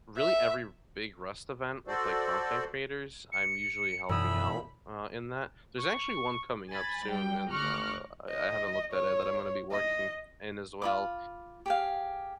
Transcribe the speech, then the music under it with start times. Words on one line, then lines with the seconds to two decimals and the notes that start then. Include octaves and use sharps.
really every big Rust event with, like, content creators, I'm usually helping out, uh, in that there's actually one coming up soon and, uh, I I haven't looked at it, that I'm gonna be working in, as well.
0.16 E5
1.87 F#4 A4 C5 D5
3.32 C#7
4.09 E1 F#2 B5 D#6 E6
5.78 C#6
6.71 G#5 B5 A6
7.06 G3 G5
7.51 D2 C#6 D6 F6 F#6 A#6
8.29 D#5
8.92 C#5
9.71 D#5
10.82 F4 B5 D6
11.66 G4 G#4 F5